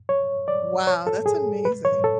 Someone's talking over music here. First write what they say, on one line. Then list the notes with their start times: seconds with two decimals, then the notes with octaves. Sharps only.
wow, that's amazing!
0.09 C#5
0.48 D5
0.87 C#5
1.07 A4
1.26 G#4
1.65 B4
1.85 C#5
2.04 A4